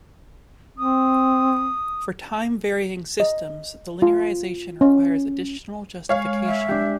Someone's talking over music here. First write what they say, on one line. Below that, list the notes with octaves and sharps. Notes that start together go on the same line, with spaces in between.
For time-varying systems, the linearization requires additional justification.
C4 D#6
D#5
F4
C#4
G#3 C#5 F5
E5
D4 G4